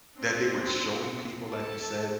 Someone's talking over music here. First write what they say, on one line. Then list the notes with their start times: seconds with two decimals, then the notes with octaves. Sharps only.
that they were showing people, like you said,
0.15 C4 D4
1.46 A4 A5